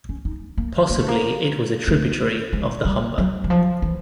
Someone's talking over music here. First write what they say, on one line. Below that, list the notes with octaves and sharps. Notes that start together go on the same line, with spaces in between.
Possibly it was a tributary of the Humber.
C#4
D#4
A#3
A#3
A3
A#3
A3
G#3
G3
F#3
E3
F3
E3